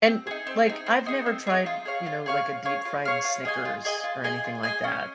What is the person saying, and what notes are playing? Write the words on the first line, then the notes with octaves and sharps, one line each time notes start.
And, l like, I've never tried, you know, like, a deep-fried Snickers or anything like that,
C4
D#4 G#4
C4
D#4 G#4
C4
D#4 G#4
C4
D#4 G#4
F4
G#4 C#5 F5
F4
G#4 C#5 F5
F4
G#4 C#5 F5
F4
G#4 C#5 F5
F4
G#4 D#5 G#5
F4
G#4 D#5 G#5
F4
G#4 D#5 G#5
F4
G#4 D#5 G#5
C#4